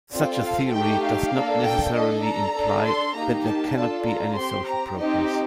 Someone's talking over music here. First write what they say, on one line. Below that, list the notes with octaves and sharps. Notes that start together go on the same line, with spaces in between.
Such a theory does not necessarily imply that there cannot be any social progress.
C4 F4 A4 D5
F5
A3 D#4 G4 G5
F5
A#3 D4 A4
G5
D4 A4 D#5
A#5
D4 A4
C6
A#3 D#4 G4 A#5
A5
D4 F4 A4 A5
A#5
C4 G4 C6
A#5
C4 D#4 G4 D#5